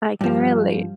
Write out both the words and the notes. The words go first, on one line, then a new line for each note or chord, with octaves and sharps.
I can relate.
G2 F3